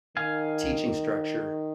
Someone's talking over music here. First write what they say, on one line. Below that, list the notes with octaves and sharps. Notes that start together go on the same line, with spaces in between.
teaching structure.
D#3 F5 G#5